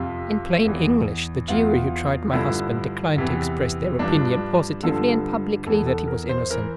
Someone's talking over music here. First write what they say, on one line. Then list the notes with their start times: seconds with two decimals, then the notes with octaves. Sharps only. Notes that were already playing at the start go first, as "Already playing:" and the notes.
In plain English, the Jury who tried my husband declined to express their opinion, positively and publicly, that he was innocent.
Already playing: F2 C3 F3 F4
0.65 E2 E3
1.48 E2 E3 F4
2.31 G2 D3 F3 E4
3.16 E2 C3 E3
3.99 G2 F3 D4
4.83 G2 D3 F3 A4
5.66 E2 E3 A4
5.87 A4
6.08 A#4
6.29 C5
6.50 E3 A#4